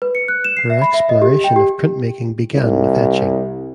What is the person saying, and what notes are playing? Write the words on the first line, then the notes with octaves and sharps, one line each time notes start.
Her exploration of printmaking began with etching.
B4
C#7
F#6
E7
C7
E5
B5
E5
D#5
G4
G5
G4
C2